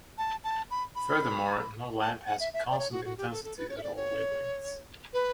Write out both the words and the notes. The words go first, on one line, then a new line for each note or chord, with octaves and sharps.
Furthermore, no lamp has a constant intensity at all wavelengths.
A5
A5
B5
B5
A5
F#5
E5
E5
D5
C#5
F#4
F#4
G4
A4
A4
B4
C#5
E5
D5
C#5
B4